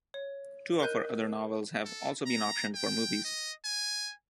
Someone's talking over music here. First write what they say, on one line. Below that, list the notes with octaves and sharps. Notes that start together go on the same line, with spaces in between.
Two of her other novels have also been optioned for movies.
C#5
A#4 D#5 F#6 G6 D#7
A4
A#5
G5
D#5
G#5